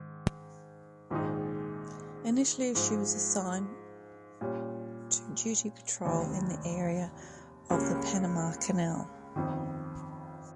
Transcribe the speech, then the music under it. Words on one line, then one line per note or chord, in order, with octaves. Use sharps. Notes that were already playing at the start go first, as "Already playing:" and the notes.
Initially, she was assigned to patrol duty in the area of the Panama Canal.
Already playing: G#2 D#3
A#1 G#2 D#3 G#3 D#4
G#2 F3 G#3
A#2 G3 C#4
F1 D#2 D#3
C#2 C#3 G3 A#3 C#4
G1 F2 D#3